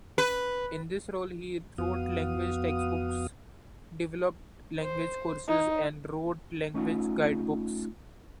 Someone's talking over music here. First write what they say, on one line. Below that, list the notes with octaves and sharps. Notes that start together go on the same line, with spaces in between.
In this role, he wrote language textbooks, developed language courses, and wrote language guidebooks.
B4
F2 B3 F#4 F5 D#6
C5
D#4
A3 C#4 D#4 F4 F#4